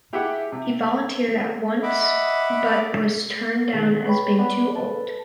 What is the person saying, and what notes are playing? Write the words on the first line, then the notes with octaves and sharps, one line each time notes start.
He volunteered at once but was turned down as being too old.
E4 G4 G#4 E5 F#5 D6
C3
D#5 E5 F#5 B5 D6
B2 D3 D#3 A3 G#4 A4
B4 C#5 G5 B5
B3 D5 F#5 B5
A4 B4 A5